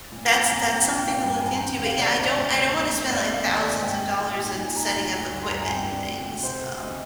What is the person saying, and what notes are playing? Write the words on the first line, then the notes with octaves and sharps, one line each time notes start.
That's that's something to look into, but yeah, I don't I don't wanna spend, like, thousands of dollars in setting up equipment and things. Um.
A#2
A#2
G#5
C2 A#5
A#5
C4
G5
A#2 G5
G5
A#2
F5
G2 G5
G#5
C4
A#5
D#2 G5
G5
D#2
F5
C3 D5
C5
D4
D5
D2 D5
A#3
C2
A#3
C2 D5
D#5
A#3
F5
D#2
D5
D#5
C4
G#5
G#2 G5
G#2
A#2
D#4
A#2 G#5
D#4 A#5
D2
D2
G2
C6
G2 A#5
G#5
C2 G5
D4
D2
D2
C3 C5
C3
D2 D#5